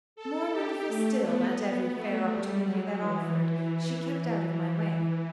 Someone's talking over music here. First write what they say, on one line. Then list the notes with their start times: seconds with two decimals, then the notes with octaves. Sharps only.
More wonderful still, at every fair opportunity that offered, she kept out of my way.
0.16 A4
0.51 G4
0.87 A3
1.23 B3
1.58 B3
1.93 A3
2.28 G3
2.64 F#3
2.99 E3